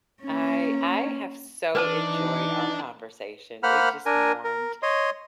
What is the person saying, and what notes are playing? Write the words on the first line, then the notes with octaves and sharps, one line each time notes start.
I I have so enjoyed our conversation. It just warmed
A#3 C#4
E3 D4 D#4 B4 C5 A5
A#3 C5 F#5 B5 F6
D4 A#4 G#5
A#4
C#5 D#5 C6